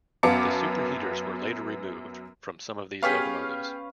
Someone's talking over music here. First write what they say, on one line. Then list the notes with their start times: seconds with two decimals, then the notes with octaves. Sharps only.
The superheaters were later removed from some of these locomotives.
0.23 F#2 B3 F5 A5 D6 C#7
3.03 B3 C#4 G4 G#4 B4 C#5 F5